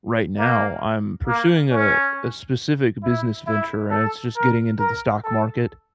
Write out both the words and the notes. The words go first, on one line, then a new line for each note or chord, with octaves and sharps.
right now. I'm pursuing a a specific business venture, and it's just getting into the stock market.
A#3
A#3
C#4
E4
E4
A4
A#4
A#4
A4